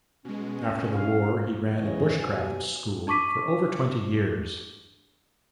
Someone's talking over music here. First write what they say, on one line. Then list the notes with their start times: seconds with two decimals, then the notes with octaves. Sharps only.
After the war he ran a bushcraft school for over twenty years.
0.25 B2 G#3 C#4
0.93 F5
1.74 E2 G#2 C#3 E3 C#5 D#5
2.19 D#2 B2 F#3 G#5
3.07 D4 A5 C#6 D6 B6 D#7